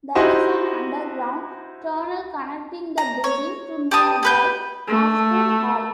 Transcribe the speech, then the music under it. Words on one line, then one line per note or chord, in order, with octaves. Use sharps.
There is an underground tunnel connecting the building to nearby Osgoode Hall.
D#4 E4 F#4 G4 C5 D#5
A#5
C#5
G4 B4 A5 D#6
G4 B4 G6
A3